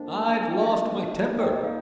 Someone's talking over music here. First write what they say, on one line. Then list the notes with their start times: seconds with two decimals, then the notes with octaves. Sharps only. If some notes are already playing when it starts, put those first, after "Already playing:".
I've lost my temper.
Already playing: F2 D#3 A#3 D4 C5
0.42 G#5
0.51 G5
0.62 F5
0.72 D#5
1.05 C3 G3 A#3 D#4
1.40 G5
1.56 D#5
1.64 F5